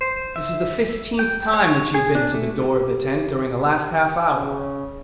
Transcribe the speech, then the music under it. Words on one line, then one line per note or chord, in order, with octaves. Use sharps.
This is the fifteenth time that you have been to the door of the tent during the last half hour.
C5
E5
G5
C#5
G#4
D4
A3
G4
C#3